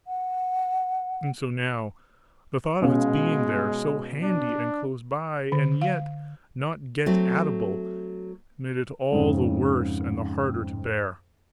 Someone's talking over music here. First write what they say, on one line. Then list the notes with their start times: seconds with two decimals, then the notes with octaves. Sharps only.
And so now, the thought of its being there, so handy and close by, and yet not get-at-able, made it all the worse and the harder to bear.
0.07 F#5
2.82 B2 G#3 C#4 F5
4.22 D4
5.52 D3
5.82 F5
7.06 F#3 A3 C4
9.11 F2 G#2 C#3